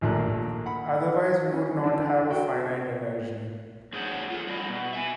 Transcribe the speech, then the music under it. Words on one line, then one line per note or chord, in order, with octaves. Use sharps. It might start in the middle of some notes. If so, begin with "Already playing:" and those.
Otherwise, we would not have a finite energy.
A#1 D#2 A#2 A3 F#6
F#5 B5
C#4
D3 E3 D4
F#4 G5
A3 G#4 C5 C#5 F#5
F4 A4
G3 E4 D#5
B2
E5 G#5